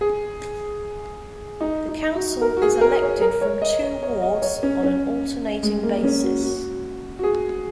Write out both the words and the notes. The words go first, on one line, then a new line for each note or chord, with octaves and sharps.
The Council is elected from two wards on an alternating basis.
G#4
D#4
D#4
F#4
A#4
F#4
G#4
A#4
C#5
A#4
C#5
D#5
C#5
C#5
D#5
C#5
C#4
C#4
G#3
A#3
C#4
F#4
F#4
F#4
G#4